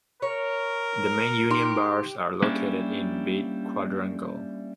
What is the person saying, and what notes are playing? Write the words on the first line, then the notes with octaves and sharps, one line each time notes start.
The main Union bars are located in Beit Quadrangle.
A#4 C#5
D#4 G4 C6
G3 A#3 C#4 D4 E4